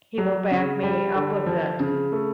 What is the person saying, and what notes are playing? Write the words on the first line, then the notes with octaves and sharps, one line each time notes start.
he will back me up with it.
F#3
C#3
G3
D3
F3
C#3
A3